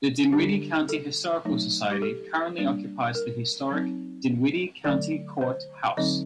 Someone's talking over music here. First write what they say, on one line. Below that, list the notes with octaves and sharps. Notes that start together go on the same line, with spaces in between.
The Dinwiddie County Historical Society currently occupies the historic Dinwiddie County Court House.
D3 G3 D4 G4
A4
F#3 A3 D#4
G4
A4
G3 A#3 D4
A#4
F#3 C4 D#4
D3 F#3 A3 D5
C5
D3 F#3 C4 D#4 D#5